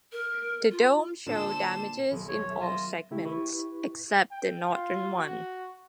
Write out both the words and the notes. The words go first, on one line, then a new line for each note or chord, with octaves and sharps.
The dome showed damages in all segments except the northern one.
A#4
F4
A#2 D3 A4 C5 D6 E7
D#1 B1 G#4
F#4 C#5
E5
F4 A#6 D#7 E7
C#3 A3 E4 G4
E4 G4 B4 C#6
G5
F4
F#4